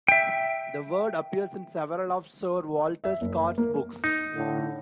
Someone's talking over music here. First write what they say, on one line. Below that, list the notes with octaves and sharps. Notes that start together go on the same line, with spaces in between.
The word appears in several of Sir Walter Scott's books.
E5 G5
E5
F#1
A#3
D#4
A2 D3